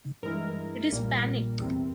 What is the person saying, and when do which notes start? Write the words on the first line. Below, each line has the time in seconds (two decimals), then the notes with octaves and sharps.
It is panic!
0.23 G2 E3 G#3 E4 A#4
0.92 A#1 A#2 G3 A#3
1.60 E2 C3 G3 C4